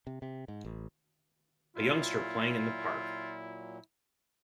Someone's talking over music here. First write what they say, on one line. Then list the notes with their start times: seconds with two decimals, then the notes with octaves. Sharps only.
A youngster playing in the park.
0.07 C3
0.22 C3
0.48 G#2
0.65 A1
1.77 A#2 F#3 E4 F4